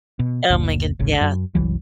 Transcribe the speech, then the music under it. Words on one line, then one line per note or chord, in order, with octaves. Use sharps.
Oh my goodne yeah.
B2
F#1 D2 A#2
D1 G#1 C#3
F#2
F#1 C2 E3 F#3